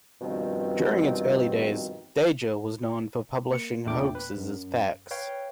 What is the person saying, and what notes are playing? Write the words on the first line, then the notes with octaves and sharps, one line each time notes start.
During its early days, "Veja" was known for publishing hoaxes as facts.
G2 B2 D#3 F3 G3 C4
A#3 C#7
E2 A#2 A3 D4 G5 D6
B4
F#2
B4 C#5 F5 G5